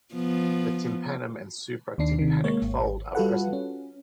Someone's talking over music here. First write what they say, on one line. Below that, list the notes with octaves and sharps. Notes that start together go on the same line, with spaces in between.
The tympanum and supratympanic fold are present.
F3 B3
D#2 D#3 D4 C7
C3 D#3
G#3 A#3 C#5
G#1
G3 F4 F#4 A4 B4 F#5
C#4